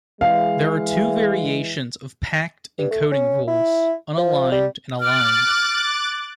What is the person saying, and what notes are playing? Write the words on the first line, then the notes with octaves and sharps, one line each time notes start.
There are two variations of packed encoding rules: unaligned and aligned.
E3 G#3 F5
G2
A3
C#4
E4
F3
G3
D6 F6 F#6 A6